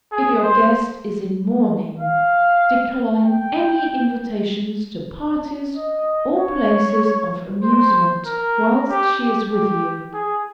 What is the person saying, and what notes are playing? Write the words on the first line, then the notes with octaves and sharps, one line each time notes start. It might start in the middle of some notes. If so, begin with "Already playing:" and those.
If your guest is in mourning, decline any invitations to parties or places of amusement whilst she is with you.
G#4
C5
F5
G5
D#5
C#5
C5
A#4
G4
G4
G4
G#4